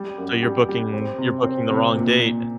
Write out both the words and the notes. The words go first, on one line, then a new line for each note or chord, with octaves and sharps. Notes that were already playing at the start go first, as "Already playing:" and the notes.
So, you're booking you're booking the wrong date.
Already playing: G3
F#2
G3
G3
C4
C3
C4
C3
A#2
A#2